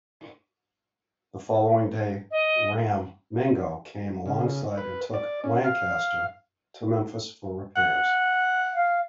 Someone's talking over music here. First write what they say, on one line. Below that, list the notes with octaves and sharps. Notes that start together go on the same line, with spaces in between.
The following day ram "Mingo" came alongside and took "Lancaster" to Memphis for repairs.
D#5
C#3
B4
D5
C#4
F5
F#5
F5